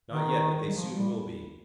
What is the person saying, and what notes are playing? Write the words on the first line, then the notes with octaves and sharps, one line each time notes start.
"Not yet, but they soon will be."
D#3
G3
F3
G3